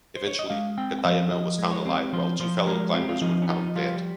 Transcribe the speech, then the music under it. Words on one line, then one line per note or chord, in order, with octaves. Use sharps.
Eventually, Katayama was found alive while two fellow climbers were found dead.
C5
C#5
D#5
G#3 F5
C4 G5
G5
F3 F5
F3 D#5
G#3
C#5
C4
F3 C5
F3 C5
G#3 A#4
C4 F4
G4
F4
F3 D#4
C#4
F3 D#4
G3 F4